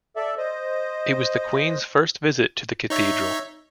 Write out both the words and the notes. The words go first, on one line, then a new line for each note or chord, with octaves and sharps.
It was the Queen's first visit to the Cathedral.
A4 D5 E5
C5 D#5
D#4 C#5 E5